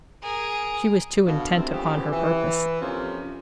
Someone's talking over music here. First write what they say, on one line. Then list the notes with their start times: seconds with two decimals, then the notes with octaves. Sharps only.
She was too intent upon her purpose.
0.22 G#4 A#4
1.26 B2 D3 F5
1.52 G2 B2 A3 C4
1.73 C#3 E3 F3 B3 C#4 G4
2.11 E3
2.81 F2 C3 F3 A#3 C#4